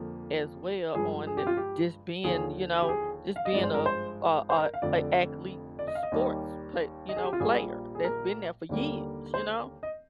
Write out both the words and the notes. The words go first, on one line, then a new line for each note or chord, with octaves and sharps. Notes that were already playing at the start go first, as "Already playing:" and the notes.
as well on the just being, you know, just being a a a a athlete sports, but, you know, player that's been there for years, you know?
Already playing: F2 D3 F3 A#3
G2 F3 G#3 G#4
G#4
G4
F4
G4
D#2 D3 F3 G#4
G4
G#4
F5
D#5
G#1 G2 F3 G#3 D5
C5
A#4
C5
C5
A#4
F5
F1 F2 D3 D5
D5
D#5
F5
D#5
D#2 D#3 G3 A#3
D#5
G#4
G4
F4
A#1 A#2 G3 A#3 G#4
G#4
A#4
D#2 D3 G3 A#3
C5
D#5